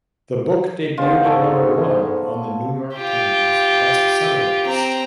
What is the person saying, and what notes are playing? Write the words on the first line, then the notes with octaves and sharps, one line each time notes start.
The book debuted at number one on "The New York Times" Best Seller list.
D#2 G#3 B3 F4 C5
D2 G#2 A4 C#5
F4 G4
C4 A#5